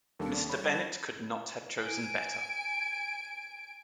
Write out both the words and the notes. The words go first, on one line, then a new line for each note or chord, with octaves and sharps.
Mr. Bennet could not have chosen better.
D#2 G3 A#3 D4 A4
G3 C#5 B5 A6
G#5 D7